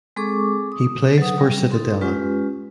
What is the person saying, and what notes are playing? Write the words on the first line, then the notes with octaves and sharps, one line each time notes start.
He plays for Cittadella.
G#3 C4 G#4 A4 C#6 D6
D#6
F#3 B4 F#5 D#6
G3
D#4 A4 C6
G#3 C#4 F4 G4 B4